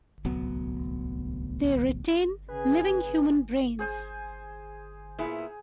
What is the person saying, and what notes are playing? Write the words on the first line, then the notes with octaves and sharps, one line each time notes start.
They retain living human brains.
D1 C2 F#3 B3
C#3 G#4 B4
G#4 C5 G#5
A#2 B3 E4 G#4